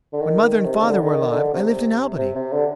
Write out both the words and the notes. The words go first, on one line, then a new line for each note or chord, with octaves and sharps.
When mother and father were alive I lived in Albany.
D3
D#3
D#3
C3
D#3
D3
D3
D#3
D3
C3
C3
C3
D3